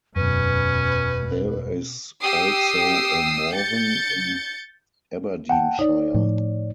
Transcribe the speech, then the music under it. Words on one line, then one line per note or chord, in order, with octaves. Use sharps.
There is also a Morven in Aberdeenshire.
E1 F#2 B2 C#4 B4
G4 D#6 E6 C7
G6 A6 C#7
F#5 G5 A5
D#4 C#5 D5
A2 F3